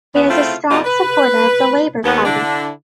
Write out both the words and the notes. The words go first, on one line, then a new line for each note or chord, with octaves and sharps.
He is a strong supporter of the Labour Party.
E2 B3
C#3 A3 C4 E4 F4
F2 B2 G3 F4 D5 D#5
B4
D#2 B3
D3 D4 E4